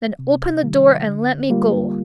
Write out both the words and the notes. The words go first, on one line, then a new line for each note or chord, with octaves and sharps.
"Then open the door and let me go."
C3
D#3 G3
D3
G3 A#3 F4